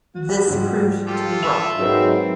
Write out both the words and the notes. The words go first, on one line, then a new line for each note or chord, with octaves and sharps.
This proved to be wrong.
F#4
G#2 F3 G3
F4 G4 A4
E5 F7
G#2 F#3 C4 D#4 A#4 B4